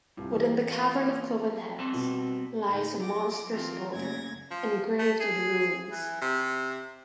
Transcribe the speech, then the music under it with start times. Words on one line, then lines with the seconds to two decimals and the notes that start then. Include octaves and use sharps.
Within the Cavern of Cloven Heads lies a monstrous boulder engraved with runes.
0.17 C2 G2 F4
0.33 E3 E4 G4
0.72 A#3 F4
1.79 G3 C4 A5
1.94 B2
2.67 A2 D3 D#4
3.02 F#3 F4 D6 A#6
3.48 E3 C4 F4
3.92 F#2 A#2 C#3 A3 G#6 A#6
4.51 F3
4.99 A3
5.20 G#4
5.91 E3
6.21 C3